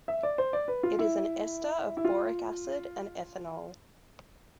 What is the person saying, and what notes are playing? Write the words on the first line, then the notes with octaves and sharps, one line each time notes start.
It is an ester of boric acid and ethanol.
E5
D5
C5
D5
B4
F4
E4
E4
F4